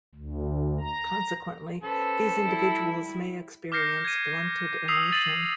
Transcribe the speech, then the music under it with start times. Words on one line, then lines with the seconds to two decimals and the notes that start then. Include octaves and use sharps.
Consequently, these individuals may experience blunted emotion.
0.15 D2
0.80 A#5
1.83 C#4 A4 B4 C5
2.45 G3 E4
3.72 D6 F6 G6 A#6 C7 C#7
4.05 G#6 D#7
4.88 D#6 E6 B6 C7 F7
5.12 A6 D#7 F#7